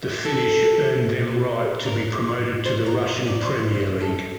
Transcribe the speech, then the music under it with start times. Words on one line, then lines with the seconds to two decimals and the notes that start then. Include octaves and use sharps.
This finish earned them right to be promoted to the Russian Premier League.
0.25 A4
1.86 A#4
2.66 C5
2.86 A#4
3.06 C5
3.27 D5
3.46 C5
3.73 C5
4.01 A4